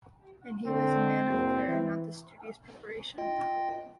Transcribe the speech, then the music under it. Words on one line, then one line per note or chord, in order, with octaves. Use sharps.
And he was a man of prayer not of studious preparation.
D3 C4
F#1
E3
F4 D#5 G5